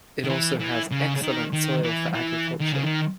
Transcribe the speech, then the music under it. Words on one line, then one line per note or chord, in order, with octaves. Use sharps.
It also had excellent soil for agriculture.
D#3
E3
E3
C#3
D#3
D#3
E3
E3
D#3
C#3
D#3